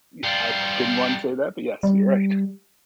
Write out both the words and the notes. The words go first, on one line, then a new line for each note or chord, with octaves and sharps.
y I didn't want to say that, but yes, you're right.
G3 F4
G3